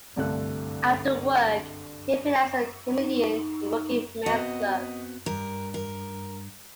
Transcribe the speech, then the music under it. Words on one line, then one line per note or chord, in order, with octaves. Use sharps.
After work he appeared as a comedian in working men's clubs.
C2 G2 D3 A3 A4 F#6
D#4
B3 C4 F#4 D#5
G2 A#4
A#4